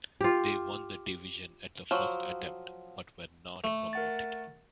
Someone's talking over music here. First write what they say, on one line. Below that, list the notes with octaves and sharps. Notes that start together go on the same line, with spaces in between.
They won the division at the first attempt, but were not promoted.
F4 G4
F3 F#3
A3
A#4 F#5 A6